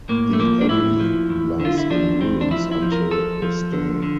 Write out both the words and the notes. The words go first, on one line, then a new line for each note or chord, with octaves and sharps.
The abbey lies in ruins until this day.
A2 A#3
A3
F3 A#3
D4
A2 E4
F3
E2
D3
F4
E4
F3 D4
E2 C4
D4
F3 E4
E4
F3
A#4
F3 A4
F3
D3
D3